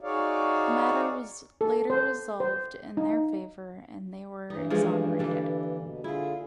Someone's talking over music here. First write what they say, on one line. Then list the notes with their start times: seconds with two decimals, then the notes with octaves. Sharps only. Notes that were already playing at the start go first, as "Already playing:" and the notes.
The matter was later resolved in their favour and they were exonerated.
0.01 D#4 F#4 G#4 C#5 D5 F5
1.61 A4
1.90 C5
2.40 C5
2.97 D#4
4.50 G2 E3 D#4
4.70 F3 G#3 A3
5.19 D3 G3 A#3
5.82 B2
6.04 D3 E4 F4 G#4